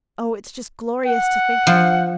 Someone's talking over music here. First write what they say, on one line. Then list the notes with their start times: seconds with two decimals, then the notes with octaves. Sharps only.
Oh, it's just glorious to think of it.
1.06 F#5
1.67 F3